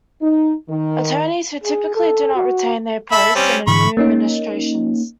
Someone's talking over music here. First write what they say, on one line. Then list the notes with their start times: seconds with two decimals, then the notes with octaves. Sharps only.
Attorneys, who typically do not retain their posts in a new administrations.
0.21 D#4
0.69 D#3
1.64 G#4
1.95 A4
2.35 F#4
3.12 A4 E5 B5
3.35 G3 C4 C#4
3.67 G#2 D3 E3 B5 C#6
3.97 A#3 C#4 D#4